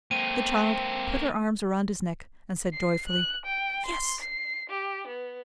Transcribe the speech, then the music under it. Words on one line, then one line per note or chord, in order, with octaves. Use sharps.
The child put her arms around his neck, and said joyfully, "Yes."
A#3 C4 A4 D#7
C7
F#6
G5
C6
C7
G4
B3